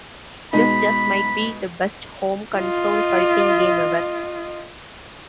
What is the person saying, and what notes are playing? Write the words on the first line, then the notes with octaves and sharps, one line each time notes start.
This just might be the best home console fighting game ever.
B2 G#3 D#4 B5
F4 D#5